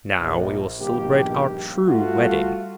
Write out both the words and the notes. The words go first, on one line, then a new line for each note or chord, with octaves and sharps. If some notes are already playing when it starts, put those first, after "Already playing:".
Now we will celebrate our true wedding.'
A#1
A#1 G2 B2 D#3 A#3 G4
G3 A3 F4 F#4